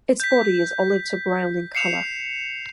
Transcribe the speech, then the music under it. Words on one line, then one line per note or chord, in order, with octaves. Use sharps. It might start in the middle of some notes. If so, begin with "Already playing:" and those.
Its body is olive to brown in color.
G6 B6
C7 C#7 E7 F7